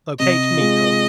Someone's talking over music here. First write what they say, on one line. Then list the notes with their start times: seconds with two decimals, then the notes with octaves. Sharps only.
Locate Miko.
0.19 C3 D#5
0.57 G#3 F4